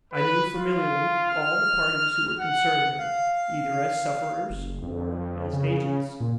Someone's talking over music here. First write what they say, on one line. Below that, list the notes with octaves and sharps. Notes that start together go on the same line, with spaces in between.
I knew familiarly all the parties who were concerned in it, either as sufferers or as agents.
B4
F4
F6
F#5
F5
F#1
F2
C#3
A#2